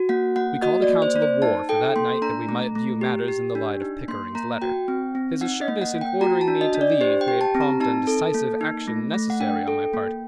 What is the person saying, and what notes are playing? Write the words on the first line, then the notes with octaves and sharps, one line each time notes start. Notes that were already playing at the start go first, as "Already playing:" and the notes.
We called a council of war for that night that we might view matters in the light of Pickering’s letter. His assuredness in ordering me to leave made prompt and decisive action necessary on my part.
Already playing: F#4
A#3 F#5
A#3 F#5
F#4 D#5
D5
A#3
C5
A#3 D5
C5
D#4 A5
A4 G5
A#3 C6
D4 A#5
A3
A3
G4
G4
D4
D#4
A#3 C6
A#3 A#5
F#4 G5
C4
C4
D#4 F#5
D#5
A#3
F#5
A#3
G5
F#4 A#5
A5
D4
D#5
D4
D5
G4 C5
G5
G4
A5
C4
A#5
D#4 A5
A4
A#3
D#4
A3
A3
F#5
D4 G5
A4
A#3